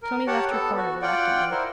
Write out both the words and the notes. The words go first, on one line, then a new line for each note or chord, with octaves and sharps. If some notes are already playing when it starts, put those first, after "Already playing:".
Tony left her corner reluctantly.
A#4
G4 C#5 F#5 A5
B3 A4 A5
F#4
F4 D5 F#5 G5
E4 A#4 C5